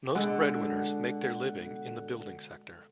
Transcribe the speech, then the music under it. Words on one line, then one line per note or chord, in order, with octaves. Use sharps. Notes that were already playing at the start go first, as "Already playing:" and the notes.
Most breadwinners make their living in the building sector.
B2 D3 G#3 F#5